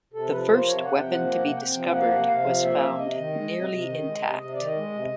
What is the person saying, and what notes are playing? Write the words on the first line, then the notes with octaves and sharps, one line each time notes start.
The first weapon to be discovered was found nearly intact.
C3 A4
F3 B4
A#3 C5
C3 C#5
C3 F#5
F3 G5
F#5
A#3
C3
C3 G5
F3
A#3 F#5
F5
C3 F#5
C3 F5
F3
A#3 E5
C3
C3 D#5
D#3
G#3
C3
C3
D#3
G#3
C3
C3 D#5
D#3 D5
D#5
G#3
C3